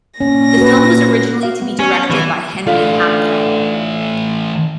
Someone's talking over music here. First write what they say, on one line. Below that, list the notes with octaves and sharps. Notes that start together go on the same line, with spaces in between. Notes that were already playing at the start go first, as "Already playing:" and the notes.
The film was originally to be directed by Henry Hathaway.
A#2 C#4 A#6
F#4 B4
F#4 F5
B3
C#4
D#3 E3 B3
D3 E3 A3 F4